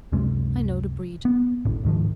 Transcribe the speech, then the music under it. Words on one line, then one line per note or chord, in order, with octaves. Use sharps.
I know the breed.
C#2 F#2 C3 G#3
B3
D1 G1 A2
D1 G#2 D#3 F3